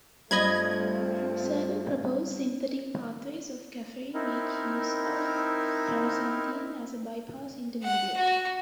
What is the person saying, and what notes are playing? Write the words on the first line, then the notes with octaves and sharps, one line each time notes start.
Certain proposed synthetic pathways of caffeine make use of paraxanthine as a bypass intermediate.
G2 F3 A3 C4 D#5 B5 G#6
C4 D#4 E4 A#4
F#5
F#4